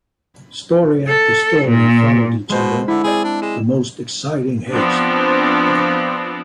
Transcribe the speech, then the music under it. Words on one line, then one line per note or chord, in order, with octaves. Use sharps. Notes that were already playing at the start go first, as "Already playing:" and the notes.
Story after story followed each other with the most exciting haste.
A4
A#2
B2 G#3 C5
D3 E4
C4 G#4 D5
D4
G#3 E7
F3 B3 C4 D4